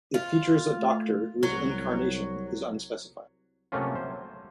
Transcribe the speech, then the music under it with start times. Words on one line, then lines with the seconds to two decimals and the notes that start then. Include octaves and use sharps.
It features a Doctor whose incarnation is unspecified.
0.14 F4
0.79 A3
1.43 C2 F#3
3.72 C3 F#3 A3 A#3 C#4 F4
3.95 C5